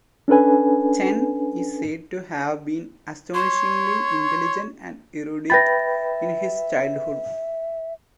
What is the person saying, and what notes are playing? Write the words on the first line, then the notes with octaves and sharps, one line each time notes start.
Chen is said to have been astonishingly intelligent and erudite in his childhood.
C#4 D4 A4 B4 G#5
C#5 C6
B4 E5 G5 B5 A6 A#6